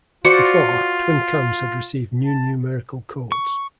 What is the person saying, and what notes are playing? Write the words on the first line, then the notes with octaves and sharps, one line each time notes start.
Before, twin cams had received new numerical codes.
F4 F#4 C5 D5 C#7
A5
C#6